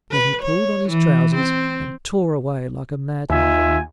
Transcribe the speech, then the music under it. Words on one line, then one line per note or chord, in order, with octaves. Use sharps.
Then he pulled on his trousers and tore away like a madman.
B4
C#5
E3
C4
D#2 D#4 F4 E5 G#5